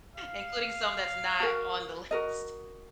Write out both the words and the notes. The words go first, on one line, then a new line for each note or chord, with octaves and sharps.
including some that's not on the list.
F5
F#4 A#4
F#4 A#4 D#5